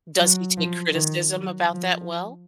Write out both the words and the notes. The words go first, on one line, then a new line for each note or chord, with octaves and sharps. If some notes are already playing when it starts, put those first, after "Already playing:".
Does he take criticism about that well?
F#3
F3
D#3
F#3
F3